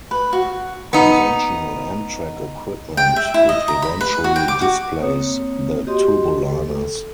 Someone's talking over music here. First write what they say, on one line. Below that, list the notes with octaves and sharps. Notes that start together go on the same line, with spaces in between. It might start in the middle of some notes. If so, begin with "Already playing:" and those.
Conventional Amtrak equipment would eventually displace the Turboliners.
B4
F#4
B3 D#4
G5
E5
E4
D#5
A#5
B5
B4
F#4
G5
D6
F#4
A#3 C4 C#5 D#6
F#4 G4 D#5 C6
A4